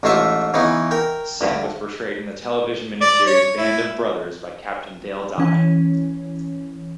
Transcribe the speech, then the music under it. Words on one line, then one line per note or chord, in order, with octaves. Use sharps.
Sink was portrayed in the television miniseries "Band of Brothers" by Captain Dale Dye.
A1 G#2 A3 F4 E5 D6
C#3 E3 B3 D#4
A#4 G5
D2 G2
D5
C#5
E4
E3 C#4